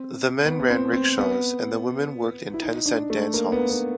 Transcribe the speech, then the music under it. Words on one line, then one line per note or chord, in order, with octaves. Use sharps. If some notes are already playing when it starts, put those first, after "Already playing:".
The men ran rickshaws and the women worked in ten-cent dance halls.
Already playing: C4
B3
B3
C4
C4
B3
E4
D#4
D4
A3
A#3
B3
B3